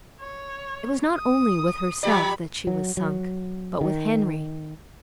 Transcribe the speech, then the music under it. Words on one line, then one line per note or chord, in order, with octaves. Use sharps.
It was not only with herself that she was sunk--but with Henry.
C#5
D#6
F3 G4 D5 B5
F#3
F#3
D#3